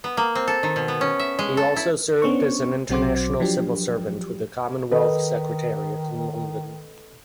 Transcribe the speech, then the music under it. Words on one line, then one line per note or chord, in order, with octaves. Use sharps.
He also served as an international civil servant with the Commonwealth Secretariat in London.
B3
A#3
C4
A4
D#3
B2
B3
C#4
E5
G#3
A4
E4
B3 C#4 D4 C5 C#6
B1 F#3 C4 F#4 C5 D6
F3 F#3 D4 G4
D#3 A4 B4 D#5